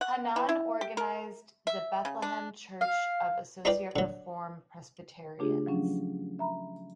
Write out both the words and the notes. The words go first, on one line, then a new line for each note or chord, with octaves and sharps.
Hannan organized the Bethlehem Church of Associate Reform Presbyterians.
F#5
E3
E4
G4
A#4
E5
C#3
D4
F5
D#4 F4 A#4 B4 D5 G5
D3 F#3
C#3 A3 D4 F4 G4 G#4
F3 F#3 C#4 D4
E5 A#5 B5